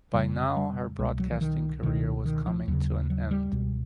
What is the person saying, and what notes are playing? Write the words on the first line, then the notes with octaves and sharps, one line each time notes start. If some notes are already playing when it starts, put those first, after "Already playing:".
By now her broadcasting career was coming to an end.
F2 C#3 G3
G3
C2 B2 G#3
F#3
E3
D#3
C#2 B2 D#3
D#3
F3
D#2 C#3 F#3
F#3
G3
C#2 B2